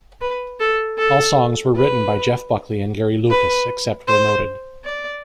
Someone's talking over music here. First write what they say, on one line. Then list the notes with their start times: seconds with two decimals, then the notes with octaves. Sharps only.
All songs were written by Jeff Buckley and Gary Lucas, except where noted.
0.21 B4
0.60 A4
0.98 A4
1.76 B4
3.30 B4
4.07 C5
4.84 D5